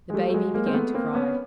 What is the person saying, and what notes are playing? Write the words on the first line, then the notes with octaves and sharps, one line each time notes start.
The baby began to cry.
G#3
G3 A3
A3
F#3 G#3
G#3 A#3
C4
A3 B3
A#3 C4
B3 C#4